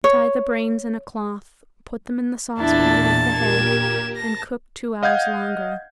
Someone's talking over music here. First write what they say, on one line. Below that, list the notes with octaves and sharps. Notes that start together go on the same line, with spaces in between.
Tie the brains in a cloth, put them in the saucepan with the head and cook two hours longer.
C#5
E2 A#2 D4 E4 A5 A6
A#2 G4 A#4 G#6 E7
A5 A#6
D#5 F5 F#5 G6 G#6